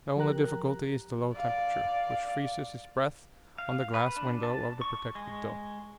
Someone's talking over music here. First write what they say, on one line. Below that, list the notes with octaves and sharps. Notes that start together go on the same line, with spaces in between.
The only difficulty is the low temperature, which freezes his breath on the glass window of the protecting dome.
F3 G4 A#4 A#5 F#6
D5 F5
F5
B4
D4
A5
C#6
G#3